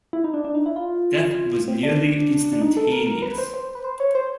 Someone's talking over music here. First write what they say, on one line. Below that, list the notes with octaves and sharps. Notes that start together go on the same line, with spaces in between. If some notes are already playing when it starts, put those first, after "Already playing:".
Death was nearly instantaneous.
E4
D#4
D4
D4
D#4
E4
F4
C4
D4
D4
D#4
A4
A#4
A#4
B4
C5
C5
B4
C5
C#5
C5